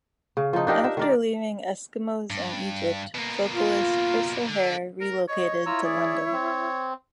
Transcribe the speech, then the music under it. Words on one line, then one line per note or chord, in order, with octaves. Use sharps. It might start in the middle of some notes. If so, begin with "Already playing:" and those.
After leaving Eskimos and Egypt, vocalist Chris O'Hare relocated to London.
C#3
F3 D#4
D4 D#4 G4 A#4
E5
D#3 A#4 D5
G2
B2 A#3
F4
D3
A#4
C#5 D#5
E4 F4 A#5 E6
G#4 D5
C4